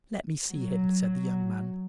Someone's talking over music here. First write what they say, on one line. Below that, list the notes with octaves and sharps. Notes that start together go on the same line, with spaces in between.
"Let me see him," said the young man.
F#3